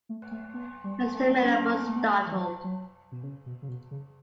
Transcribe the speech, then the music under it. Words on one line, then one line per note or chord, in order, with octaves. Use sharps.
Mr. Miller was startled.
A3
A3
B3
G3
A3
B3
A3
C#4
D4
C#4
C#4
B3
A3
B3
A3
E3
F#3
F#3
B2
C#3
B2
C#3
B2
C#3